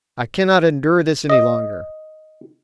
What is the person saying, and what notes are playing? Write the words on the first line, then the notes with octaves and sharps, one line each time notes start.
I cannot endure this any longer.
D#5